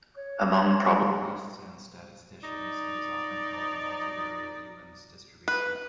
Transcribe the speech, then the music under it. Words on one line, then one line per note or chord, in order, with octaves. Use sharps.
Among probabilists and statisticians it is often called the multivariate Ewens distribution.
C#5
D#4 D5
B4